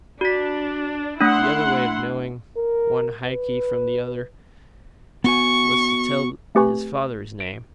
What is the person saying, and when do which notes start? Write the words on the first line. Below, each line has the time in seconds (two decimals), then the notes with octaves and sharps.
The other way of knowing one Haki from the other was to tell his father's name.
0.21 D4 F#4 B6
1.21 A3 D4 E4 F#5 C6
2.57 A#4
3.27 B4
5.24 B3 F#4 G#5 C#6
6.55 A3 C4 G4 B4 G#5 C#6
7.40 D7